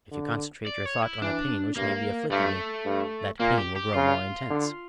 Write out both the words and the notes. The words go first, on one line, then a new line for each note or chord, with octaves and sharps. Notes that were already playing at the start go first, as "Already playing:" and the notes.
If you concentrate your thought on a pain which may be afflicting you, that pain will grow more intense.
D3
D5
C#5
E4
E3 D4
G2 A#3
G2 A3
G2
A#2 A#3
G4
G4
C#3 F4
D3